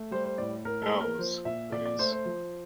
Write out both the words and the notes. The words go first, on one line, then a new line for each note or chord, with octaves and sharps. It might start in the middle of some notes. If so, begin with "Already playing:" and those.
Ours, that is.
Already playing: A3
G3 C5
C5
A2 D5
A2 A#4
A4
A#3
A#4
F3 C5
A#2 E5
A#2 D5
D5
A3 C5
C5
F3